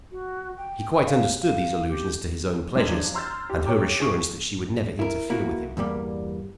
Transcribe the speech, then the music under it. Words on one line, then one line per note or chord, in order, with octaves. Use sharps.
He quite understood those allusions to his own pleasures and her assurance that she would never interfere with him.
F#4
G5
F5
F5
G4
C2 G#2 D4 C5 G#6 F#7
F#2 F3 D4
A#5 C6 E6 F6 G6 A6
G4
C#5 G5 A#5 D6
G#4 C#6 D7
E4 A#4
A#3 E4 F#4 A#4
E2 G2 G3 A#3